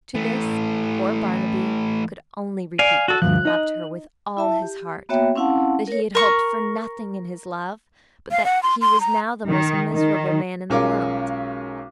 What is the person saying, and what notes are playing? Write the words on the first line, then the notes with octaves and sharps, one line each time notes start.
To this poor Barnaby could only repeat that he loved her with all his heart, that he had hoped for nothing in his love, but that he was now the most miserable man in the world.
E3 A3
D5 F5 G#5
F#4 A4
D2 G2 F3 F#6
D#4 D#5
E4 E5 A5
G4
A#3 B3 F#4 C#5 E5 G5
C4 C#4 E4 F5 F#5 A5
A#4 C#5
A#4 C#6
F5
F#5
C6
C6
A#5
D#3
D#3
B1 G#3 C#4 F4 A#4 D6